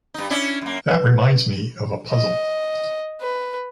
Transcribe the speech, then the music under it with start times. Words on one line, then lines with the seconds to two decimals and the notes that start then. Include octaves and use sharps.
That reminds me of a puzzle.
0.14 G2 D#4
0.30 C#4 D4 E4
0.61 F#2 A#3
0.90 B4
2.10 D#5
3.21 B4